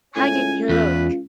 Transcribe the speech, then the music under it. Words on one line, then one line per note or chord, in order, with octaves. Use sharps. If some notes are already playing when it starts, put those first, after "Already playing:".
How did he look?
C#2 A2 G#5
E2 F4 B4